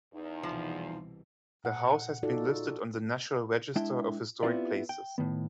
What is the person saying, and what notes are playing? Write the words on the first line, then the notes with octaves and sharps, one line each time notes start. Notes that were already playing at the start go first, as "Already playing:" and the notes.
The house has been listed on the National Register of Historic Places.
E2 D#4
C2 B2 E3 F3
A#2 F#5
D#4 F4 F#4 A4 D5
G#3 D4 E4 E5 G5
B3 C4 E4 F4 G4 D5
G5
A2 D#3 B3